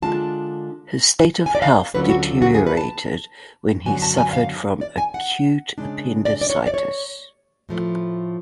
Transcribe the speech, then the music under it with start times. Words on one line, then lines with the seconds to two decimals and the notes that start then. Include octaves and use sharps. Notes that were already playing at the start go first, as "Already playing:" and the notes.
His state of health deteriorated when he suffered from acute appendicitis.
0.02 D3 G#3 D4 F4 A5
1.46 G#5
1.55 D5
1.62 F5
1.94 D2 D3 F#3 C#4 F4 B4
2.10 F#4
2.42 F#4
2.54 G#4
2.67 B4
2.77 A5
3.86 F#2 D3 F#3 B3 G#5
4.02 A5
4.18 G#5
4.33 F5
4.81 D5
4.98 G#5
5.14 F#5
5.78 C#3 G#3 D4
6.25 D5
6.41 D5
6.50 C#5
6.67 D5
6.74 C#5
7.69 A2 F3 A3